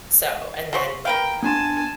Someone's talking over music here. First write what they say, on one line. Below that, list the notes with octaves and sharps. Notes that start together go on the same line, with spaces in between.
So and then,
F#4 C5 C#5
A#4 B4 F5 G5
B3 D4 G#5 A5 C6